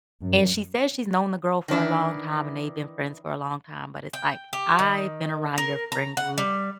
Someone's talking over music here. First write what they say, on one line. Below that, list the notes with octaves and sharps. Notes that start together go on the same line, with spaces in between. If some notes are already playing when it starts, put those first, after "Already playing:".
and she says she's known the girl for a long time and they've been friends for a long time, but it's like, "I've been around your friend group
F#2
D#3 E3 D4 E4
G5
G4
D#3
A#4
A#5
F#5
G3